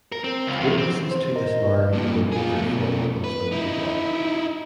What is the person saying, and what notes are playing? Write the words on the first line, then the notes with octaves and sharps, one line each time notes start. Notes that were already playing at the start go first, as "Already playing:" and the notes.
Witnesses to this marriage were both their former husband and wife.
A#4
C4
C#2
E2
C4
C5
A#4 D#5
G2 A#2
F4 G#4
B2 A3
B4
D#4 E4